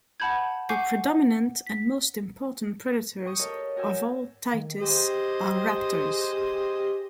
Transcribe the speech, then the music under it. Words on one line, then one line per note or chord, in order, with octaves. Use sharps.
The predominant and most important predators of all titis are raptors.
F#5 A5 B5 G6 G#6
F#5 G#5 C#6 D6 G6 C7
B6
G5 C#6 D#6
G4 A4 A#4 C#5 D#5
F#4 A#4 G5 G#5 E6
D#3
G4 G#4 C5 D#5